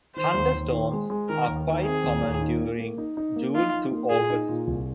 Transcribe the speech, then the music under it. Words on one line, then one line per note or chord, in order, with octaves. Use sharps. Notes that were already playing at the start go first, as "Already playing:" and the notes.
Thunderstorms are quite common during June to August.
D#3 C5
D#2
D#2
D#3
G#3
G#3
D#3 A#4
D#2
D#3
C4 G#4
D#2
D#2
D#4
A#3
A#3
D#4
D#4
A#3
D#4 F4
D#4
A#3
A#2 G#4
D#4
A#2
C2